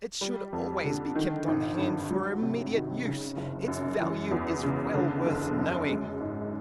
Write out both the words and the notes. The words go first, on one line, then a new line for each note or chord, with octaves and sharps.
It should always be kept on hand for immediate use. Its value is well worth knowing.
G3
F2
D3
D#3
G#1
G2
F#3
C3
D#3
C#3
F#1
F#2
E3
E2
C#3
D3
F#1
F#2
G#3
G#2